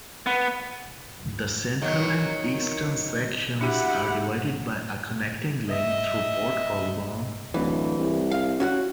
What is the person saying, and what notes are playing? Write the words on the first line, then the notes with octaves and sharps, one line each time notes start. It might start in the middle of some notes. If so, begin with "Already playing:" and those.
The central and eastern sections are divided by a Connecting Link through Port Colborne.
B3
D#3 F#3 A#3
D4 E4 F#4 G4 F#5
D#5 E5
D1 E3
C2
F5
C#4 F#4 F#5